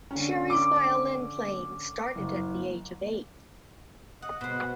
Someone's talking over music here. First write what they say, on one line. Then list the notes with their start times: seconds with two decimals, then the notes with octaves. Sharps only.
Sherry's violin playing started at the age of eight.
0.11 D3 C#4
0.50 D6
2.15 F#1
4.22 D#5 F#5
4.41 B2 C5 F#5